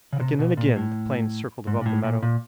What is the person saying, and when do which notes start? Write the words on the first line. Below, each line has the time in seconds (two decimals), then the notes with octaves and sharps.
Again and again the plane circled above the meadow.
0.13 C#3
0.21 C3
0.39 B2
0.57 A#2
0.76 A2
1.67 G#2
1.81 A#2
1.86 A2
2.04 A#2
2.22 A#2